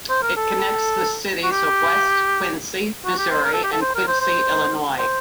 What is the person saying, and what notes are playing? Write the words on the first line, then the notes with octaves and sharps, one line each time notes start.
It connects the cities of West Quincy, Missouri and Quincy, Illinois.
C5
A#4
A4
F#4
G4
F#4
G4
C5
A#4
A4
G4
A4
C5
A#4
C5
C5
C5